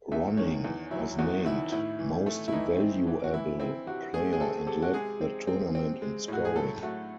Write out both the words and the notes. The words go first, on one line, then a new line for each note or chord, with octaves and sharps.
Ronning was named Most Valuable player and led the tournament in scoring.
E2 E5
D#3 C#5
E2
F#3 E4
E2 F#4
D#3 E4
A2 E4
E3
A3
E4
E3 D#4
C4
E3
F#4
E3 E4
C4 E4
C3 F#4
A3 G#4
G#4
C4 A4
C3 A4
F#4
G#3 G#4
C4
C4
C4
G#3
A2 F#4
G#4
F#3 A4
A3 F#4